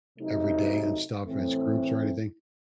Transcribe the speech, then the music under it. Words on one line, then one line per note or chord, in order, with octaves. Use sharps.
every day and stuff as groups or anything?
C3 F#3 A3 D#4
A2 E3 A3 C4